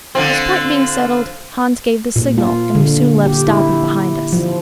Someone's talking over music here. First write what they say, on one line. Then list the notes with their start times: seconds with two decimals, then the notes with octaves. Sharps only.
This point being settled, Hans gave the signal, and we soon left Stapi behind us.
0.15 D3 F3 C4
2.16 A#2
2.38 F4
2.75 D3
3.26 G4
3.48 E4
4.33 F3